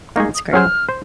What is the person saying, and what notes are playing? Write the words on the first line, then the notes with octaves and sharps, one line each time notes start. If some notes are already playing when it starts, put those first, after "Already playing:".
That's great.
A#3 D#4 G#4 C#6
D#6
F#3 C#4 G#4 C5 F6
C5